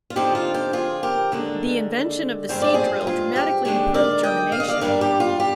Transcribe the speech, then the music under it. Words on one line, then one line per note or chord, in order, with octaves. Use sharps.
The invention of the seed drill dramatically improved germination.
F4
D3 F3 C4 D#4 G4
F4
G4
F4 G#4
G4 A#4
D#2 D3 G#3 D4
G2 F3 G#3 C4 C5
D5
G#4 C5
A#4
F4 G#4
G4
D#2 D3 G#3 D4 G4
A#4 D5
D#5 G5
F5
D#5
D5 F5
G2 D#3 G3 D4 A#4 D5
G4
F4
G4